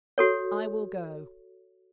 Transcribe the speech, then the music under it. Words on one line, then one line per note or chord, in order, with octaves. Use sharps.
I will go.'
F#4 A4 C#5